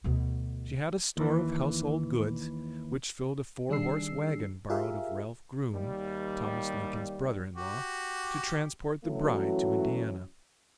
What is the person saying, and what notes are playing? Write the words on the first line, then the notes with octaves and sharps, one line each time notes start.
She had a store of household goods which filled a four-horse wagon borrowed of Ralph Grume, Thomas Lincoln's brother-in-law, to transport the bride to Indiana.
D2 B2
D#2 E3
D#3 G3 D4 G#4 E6 C7
F4 G4 G#4 A#4 E5 F5
D#2 G3
F#4 G4
E3 F#3 A3 C#4 E4 F#4